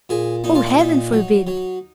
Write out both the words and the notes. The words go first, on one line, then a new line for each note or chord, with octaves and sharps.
Oh, heaven forbid!
A#2 G#4
A#2 D#4
F4
D#4
A#2 D#4
F#3
F#3